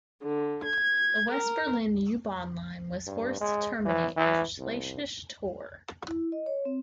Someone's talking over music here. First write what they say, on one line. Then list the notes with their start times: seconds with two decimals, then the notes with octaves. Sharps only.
The West Berlin U-Bahn line was forced to terminate at Schlesisches Tor.
0.21 D3
0.65 G#6
1.32 A#4
3.07 G2
3.41 G#3
3.85 E3
4.16 E3
4.58 C2
6.08 E4
6.32 D#5
6.46 C#5
6.65 C4